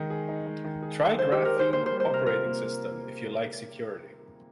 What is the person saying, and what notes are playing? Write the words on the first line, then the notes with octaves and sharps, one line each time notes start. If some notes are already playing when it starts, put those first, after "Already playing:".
Try Graphene Operating System, if you like security.
Already playing: D#3 G#3 D#4
G#4
D#4
G#3
D#3
G#4
D#4
G#3 C5
D#3 G4
A#4
G#4 C5
A#3 C5
G3 C5
C5
C3
A#4
F4 A#4
A#3